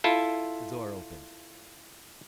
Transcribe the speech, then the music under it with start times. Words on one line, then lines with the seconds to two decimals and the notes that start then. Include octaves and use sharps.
The door opened.
0.04 E4 F4 A4